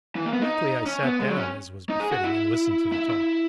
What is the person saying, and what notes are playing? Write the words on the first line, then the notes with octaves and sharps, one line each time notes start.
Meekly I sat down, as was befitting, and listened to the talk.
E3
A#3
B3
D#4
C#4
B3
G#3
F#3
C#4
D#4
G#4
F#4
E4
E4
E4